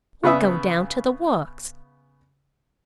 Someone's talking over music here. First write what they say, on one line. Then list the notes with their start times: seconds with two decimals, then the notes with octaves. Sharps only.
We'll go down to the Works.
0.24 C#3 B3 B4 E5 D#6